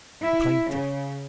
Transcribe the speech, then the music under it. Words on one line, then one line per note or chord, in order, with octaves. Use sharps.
The plaintiff.
E4
C#3